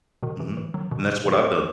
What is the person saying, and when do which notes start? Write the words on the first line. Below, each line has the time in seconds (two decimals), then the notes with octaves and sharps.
Mhm. And that's what I've done.
0.23 B2 D#3
0.40 C3 E3
0.57 E3 G3
0.74 D#3 F#3
0.91 B2 D#3
1.08 C3
1.25 C3 E3
1.43 A3 C4